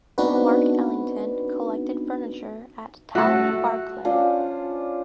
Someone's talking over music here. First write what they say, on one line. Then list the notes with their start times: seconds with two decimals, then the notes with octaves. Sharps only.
Marc Ellington collected furniture at Towie Barclay.
0.18 B3 C4 D4 D#4 F#4 B4
3.15 A3 F#4 A4
4.05 C#4 D4 F4 C5